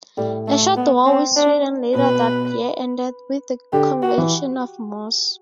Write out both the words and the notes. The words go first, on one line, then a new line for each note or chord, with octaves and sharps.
A short war with Sweden later that year ended with the Convention of Moss.
A2 G3
A3
B3
C4
D4
B2 B4
D3 G4
F#4
E3